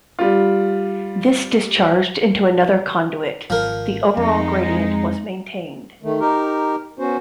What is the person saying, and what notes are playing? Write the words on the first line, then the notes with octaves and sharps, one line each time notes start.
This discharged into another conduit; the overall gradient was maintained.
G3 F4
G#1 F3 A#4
F2 G#3 D#4
D#3 A3
D#4 G4 A#4
B3 C#4 F#4 C5